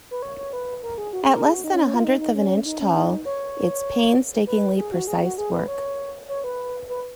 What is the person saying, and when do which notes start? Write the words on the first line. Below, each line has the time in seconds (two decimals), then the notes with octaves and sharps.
At less than a hundredth of an inch tall, it's painstakingly precise work.
0.11 B4
0.22 C#5
0.38 C#5
0.53 B4
0.83 A#4
0.98 G#4
1.13 F#4
1.23 G#4
1.33 A#4
1.44 G#4
1.54 F#4
1.64 D#4
1.74 C#4
1.84 C#4
1.94 F4
2.04 D#4
2.20 D#4
2.35 C#4
2.65 D#4
2.80 C#4
2.95 D#4
3.25 C#5
4.47 B4
4.77 G#4
4.92 F#4
5.07 G#4
5.23 F#4
5.38 G#4
5.53 B4
5.68 C#5
6.29 C#5
6.44 B4
6.89 B4